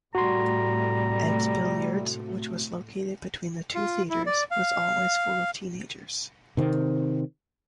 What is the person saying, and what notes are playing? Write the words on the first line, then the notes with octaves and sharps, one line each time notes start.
Ed's Billiards which was located between the two theaters was always full of teenagers.
A2 C3 G3 A3 F#4 A#5 C6
F4
E4
D5
F5
C3 D#3 C4